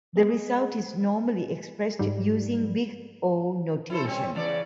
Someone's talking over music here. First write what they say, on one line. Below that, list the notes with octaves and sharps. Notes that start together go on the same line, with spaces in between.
The result is normally expressed using Big O notation.
B3 G#4 D#5
G#2 G3
E4 A4 C5
G3 C4 C#4
C#3 E3 D5